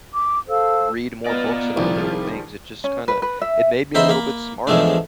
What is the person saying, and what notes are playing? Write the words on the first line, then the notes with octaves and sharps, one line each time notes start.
read more books about different things, it just kinda it made me a little bit smarter
D6
A4 C5 F5 E6
B3 F4 D5 D#5 A#6
C2 D#3 F3 G3 G#4
C#4
B4
B4
E5
E2 D#4 C5 E5 B5 C6
A#3 B5
E2 G#2 F3 G#3 A3 D4